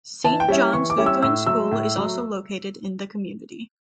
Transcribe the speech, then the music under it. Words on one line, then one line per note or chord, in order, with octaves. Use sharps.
Saint John's Lutheran school is also located in the community.
E3 A5
G5
G3 C#4 E4
E3 C#6
D6
G3 C#4 E4
E6
A2 E6
F#3 A3 E6
A2
F#3 A3